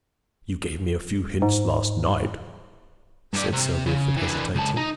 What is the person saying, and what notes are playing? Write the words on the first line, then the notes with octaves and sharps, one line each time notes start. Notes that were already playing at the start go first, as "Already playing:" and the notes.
"You gave me a few hints last night," said Sir Wilfrid, hesitating.
G#2
G2 D5
C3
C#3
E3 D4
C#2 A5
D#4